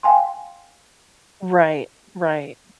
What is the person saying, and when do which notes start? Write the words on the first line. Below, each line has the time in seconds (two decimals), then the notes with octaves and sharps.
Right, right.
0.03 F5 G5 G#5 C6